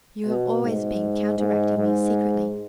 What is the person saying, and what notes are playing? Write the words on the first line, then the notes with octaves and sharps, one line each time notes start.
You have always been counteracting me secretly.
B2
G#2
G#2
G#2